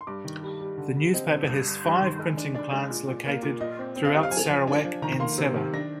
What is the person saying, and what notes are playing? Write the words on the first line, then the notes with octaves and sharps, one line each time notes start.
The newspaper has five printing plants located throughout Sarawak and Sabah.
C6
G2 D6
D#3
G3
G3
D3
G3
C4 D#5
D3
G2
G2
G2
D#3
G#3
D4
D4 D5
G#3
A#2
A#2
A#3
A#2
A#2 D#5
C4
C4
F5
G3 D#5
F5
F3 G#5
F3
D4
F3
D#3 A#5
A#3 C6
C3
D#3
D4 A#6